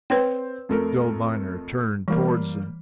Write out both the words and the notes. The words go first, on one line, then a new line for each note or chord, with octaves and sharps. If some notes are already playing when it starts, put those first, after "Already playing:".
The old miner turned towards them.
C4 B4 C#5 G5
F2 A3 A#4
E3 G3 A#3